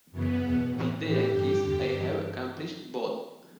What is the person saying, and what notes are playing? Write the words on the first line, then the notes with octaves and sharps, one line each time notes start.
With the Yankees I have accomplished both.
F#2 C#3 E3 B3
E2 B2
A2 E3
A2 E3 G4
G2 D3 G4
E2 D3
G2 E3